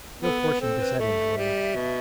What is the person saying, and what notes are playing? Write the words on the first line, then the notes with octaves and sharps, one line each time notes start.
Ill fortune beset him, however.
B3 A4
B4
C4 A4
B4
A3 E5
G3
B2